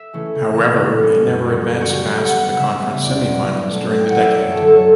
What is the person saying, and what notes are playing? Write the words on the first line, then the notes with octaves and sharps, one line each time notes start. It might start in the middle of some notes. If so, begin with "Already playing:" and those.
However, they never advanced past the conference semifinals during the decade.
Already playing: E5
C#3 E3 A3 C#4
C#3
E3 B3
A2
G3 C#4
F#2
C#3 G3 C#4
F#2 D5
F#4
D3 A3 C#4 G4
G4
C#3 G4
F#5
G3 B3 F#5
F#5
C#3 E5
G3 B3
E2 D5
B2 F#3
B2
A3 C#4
A2
G5
F#5
E3 B3 E5
D5
F#2 C#5
A4
D3 F#3
A4
C#5